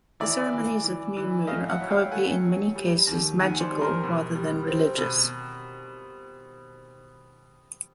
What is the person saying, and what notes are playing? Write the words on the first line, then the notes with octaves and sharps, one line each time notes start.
The ceremonies of new moon are probably in many cases magical rather than religious.
E3 D5 E5
E3
E3
E3
A3 D#5 F5
E5 F#5
F#3
F5 G5
A3 F#5 G#5
F#3
G3
D#2
D#3 F#5 G#5
C5 D5
G3
A#4 C5
B2
G3
C4
B2